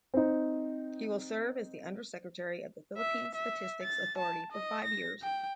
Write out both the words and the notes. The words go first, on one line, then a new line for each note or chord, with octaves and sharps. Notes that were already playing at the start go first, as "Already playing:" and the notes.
He will serve as the Undersecretary of the Philippine Statistics Authority for five years.
C4 D#4
E5
E5
A6
A5
D#5
A#6
G5